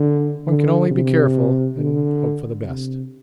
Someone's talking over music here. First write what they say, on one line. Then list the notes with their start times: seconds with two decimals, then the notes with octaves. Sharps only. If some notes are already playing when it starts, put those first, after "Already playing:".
One can only be careful and hope for the best.'
Already playing: D3
0.48 D3
0.90 C3
1.78 D3
2.64 C3